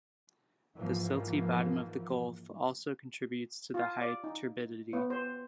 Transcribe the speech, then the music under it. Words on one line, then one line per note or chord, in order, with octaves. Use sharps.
The silty bottom of the gulf also contributes to the high turbidity.
G#2 E3 F3 A#3
F4
D5
D#4
B3
C5